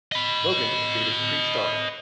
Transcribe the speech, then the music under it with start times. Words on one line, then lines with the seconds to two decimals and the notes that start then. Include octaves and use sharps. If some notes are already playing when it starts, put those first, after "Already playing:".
Logan gave it three stars.
0.12 D#5 B5